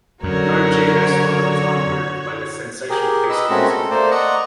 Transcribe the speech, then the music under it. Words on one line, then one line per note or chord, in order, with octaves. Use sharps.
No G and S lover is unmoved by this sensational piece of music making.
F#2 D3 F#4 A#4 C#5
G4 G#4 A#4
B4 D#5 E6
G#3 A3 C4 C#4 F#4 A#4
A4
A3 A#3 C5 D5
D5 D#5 F#5 A#5 C#6